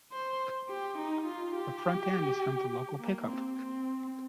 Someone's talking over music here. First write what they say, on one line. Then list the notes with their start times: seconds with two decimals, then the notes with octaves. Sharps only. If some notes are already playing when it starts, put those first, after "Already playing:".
The front end is from the local Pickup.
0.12 C5
0.69 G4
0.98 D#4
1.26 F4
1.56 G4
3.00 A#3
3.29 C4
3.58 C4